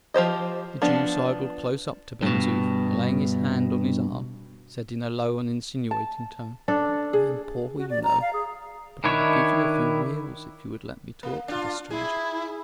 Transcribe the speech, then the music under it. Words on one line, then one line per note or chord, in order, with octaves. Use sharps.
The Jew sidled close up to Ben Zoof, and laying his hand on his arm, said in a low and insinuating tone, "I am poor, you know; but I would give you a few reals if you would let me talk to this stranger."
F3 G4 C5 D#5
F3 B3 D4
G2 B2
A5
D4 A4
G#4
F#4
D5
A#5
F5
G#4
D#3 D4 E4 C#5
A#3
D4 F4
E4 G#4